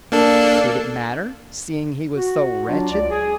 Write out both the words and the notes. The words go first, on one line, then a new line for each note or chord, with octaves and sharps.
Did it matter, seeing he was so wretched?
A#3 D4 A4
F#4
F#3 D4 F4
C#2 D5
G#4